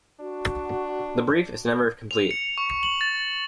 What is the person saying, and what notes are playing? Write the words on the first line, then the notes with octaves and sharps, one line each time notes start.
The brief is never complete.
D4 F#4
F7
C#7
C#6
F#7
A6